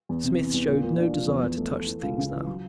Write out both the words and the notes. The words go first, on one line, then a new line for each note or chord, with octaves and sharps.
Smith showed no desire to touch the things now.
E2
C3
E3
E2
A#2
A#2
D4
F3
E2
E2
A3
A3
E3
C#2
C#3
E3
F#3